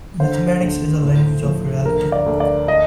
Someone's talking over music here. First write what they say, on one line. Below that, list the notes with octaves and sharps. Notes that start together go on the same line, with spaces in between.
Mathematics is the language of reality.
D3 C5
D2
A2
F3
D2 A#4
D5
D2
D5
D#5